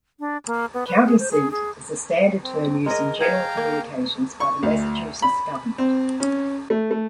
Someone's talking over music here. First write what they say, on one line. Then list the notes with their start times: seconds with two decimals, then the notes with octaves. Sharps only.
"County seat" is the standard term used in general communications by the Massachusetts government.
0.20 D4
0.47 A#3
0.74 B3
0.87 B4
1.06 G#4
1.19 C5
1.31 G#4
1.51 G#4
2.43 C4
2.86 G#3 A#4 D#5
3.20 G#4 F5 G5 A#5
3.57 A#3
4.40 C#6
4.63 D2
5.22 B5
5.78 C4
6.20 C#4
6.70 A3
6.91 A3